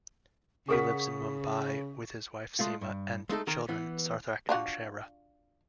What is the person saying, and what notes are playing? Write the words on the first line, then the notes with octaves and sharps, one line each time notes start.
He lives in Mumbai with his wife Seema and children Sarthak and Shreya.
C#3 G#4 A#4 F#5 C#6 D#6 B6
G#3 A3 F4
G2
G#3 A3 D#4 A4
D#3 A#4
E3 B3
D4 F4 F#4